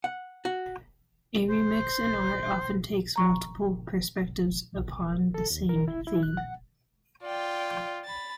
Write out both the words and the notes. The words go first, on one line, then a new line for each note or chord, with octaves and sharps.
A remix in art often takes multiple perspectives upon the same theme.
F#5
F#4
C5
A#5 C#6
A4
D#2
A#4
E4
E4
F#6
F#5
F4 D5 G5
B5 A6